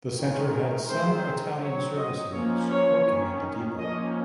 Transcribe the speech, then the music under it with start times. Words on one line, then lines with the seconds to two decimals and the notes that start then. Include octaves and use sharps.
The Center had some Italian Service Units working at the depot.
0.17 D#3 G#3 C#4
0.53 A#4
0.88 D#3 G#3 C4 C5
1.61 F#3 C4 C#5
1.97 D#5
2.33 F3 A#3 C#4 C#5
2.69 C#5
3.06 D#3 A#3 C#4
3.78 F3 A#3 C#4 D#5